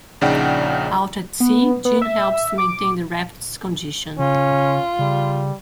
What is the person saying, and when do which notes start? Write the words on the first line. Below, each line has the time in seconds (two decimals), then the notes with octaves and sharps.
Out at sea, Jin helps to maintain the raft's condition.
0.21 A#1 C#3 D#4 D5 F#5 G5
1.40 B3
1.85 B3
2.02 E5
2.58 D6
4.19 C#3 C#4 F4
4.99 C#3 G3